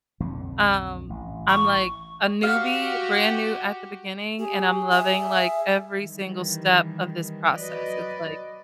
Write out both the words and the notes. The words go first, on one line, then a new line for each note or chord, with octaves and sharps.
Um, I'm, like, a newbie, brand new at the beginning, and I'm loving, like, every single step of this process. It's like
B1 F2 D3
A1
C#6
F#4 G4 F5
G4 G#4
E5
D#3 E3 G3
F#3 B4 D5 D#5